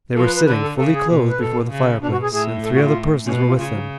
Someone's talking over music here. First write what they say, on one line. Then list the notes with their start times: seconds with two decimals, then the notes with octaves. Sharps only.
They were sitting fully clothed before the fireplace, and three other persons were with them.
0.15 F3 A4
0.26 B4
0.36 B4
0.46 D3 B4
0.62 A4
0.78 C#3 A4
0.94 G#4
1.08 B2
1.30 B4
1.39 B2 A4
1.71 C#3
2.02 B2 D4
2.12 F#4
2.23 G#4
2.33 A2 G#4
2.64 A4
2.75 F#4
2.85 F4
3.26 B2 C#4
3.48 F4
3.58 C#3 F4
3.74 F#3